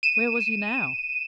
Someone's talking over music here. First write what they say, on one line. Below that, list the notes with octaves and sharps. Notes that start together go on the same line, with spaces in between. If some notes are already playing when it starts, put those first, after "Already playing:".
Where was he now?
D#7 E7